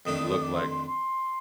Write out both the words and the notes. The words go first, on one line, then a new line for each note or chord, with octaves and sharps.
look like
F2 D#3 A3 D4 D#6
D#6
D#6
D6
C6
C6
C6